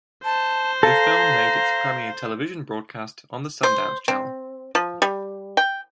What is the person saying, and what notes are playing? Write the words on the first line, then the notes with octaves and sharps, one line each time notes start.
The film made its premiere television broadcast on the Sundance Channel.
C5 A5
A4 F5 A#5
C5
C4
F3
G3
G5